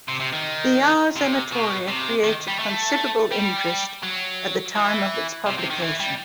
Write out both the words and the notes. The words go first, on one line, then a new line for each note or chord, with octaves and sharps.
The "Ars Amatoria" created considerable interest at the time of its publication.
C3
C3
D#3
C3
B2
C3
D#3
G3
A3
G3
F#3
E3
C3
C3
D#3
E3
G3